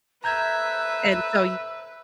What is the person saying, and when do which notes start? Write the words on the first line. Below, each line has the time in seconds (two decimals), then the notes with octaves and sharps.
and so,
0.24 A4 B4 C5 E5 A#5 E6 G6 G#6